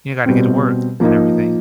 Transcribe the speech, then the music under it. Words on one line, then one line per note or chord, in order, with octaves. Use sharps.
you gotta get to work," and everything.
B2 G3 C4
F3 A#3 D#4